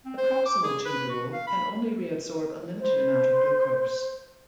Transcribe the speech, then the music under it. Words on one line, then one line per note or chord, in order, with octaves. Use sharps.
The proximal tubule can only reabsorb a limited amount of glucose.
C4
C5
D6
G#4
B4
F#4
F5
B5
B4 C5